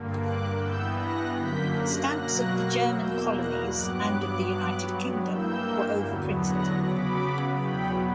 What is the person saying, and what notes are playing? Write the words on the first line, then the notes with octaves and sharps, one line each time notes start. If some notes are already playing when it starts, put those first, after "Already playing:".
Stamps of the German colonies and of the United Kingdom were overprinted.
Already playing: G2 D3 A#3
D6 F#6
G2 E3 B3 E6 G6
F#6 A#6
F#2 D3 A#3 G6 B6
F#6 A#6
B2 F#3 A#3 F#6 A#6
E2 B2 A#3 E6 G6
F#6 A#6
G2 F#3 B3 D6 F#6
G2 F#3 B3
G2 E3 A#3 E6 G6
E2 D3 F#3 B3
F#6 A#6
C#3 F#3 B3 B5 D6
E2 B2 F#3 B3 G5 B5